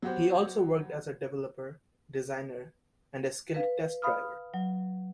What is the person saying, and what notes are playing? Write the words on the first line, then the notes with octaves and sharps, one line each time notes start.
He also worked as developer, designer, and skilled test driver.
F#3 B3 F#4 G4 C5
B4 F5
F5 B5 D#6 F6
F#3